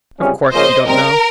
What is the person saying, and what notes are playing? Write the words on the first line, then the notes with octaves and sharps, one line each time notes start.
"Of course you don't know."
C#2 C3 G3 C#4 G#4
C#3 F3 A#3 C#4 C5 D#5
C3 G3 C4 A#4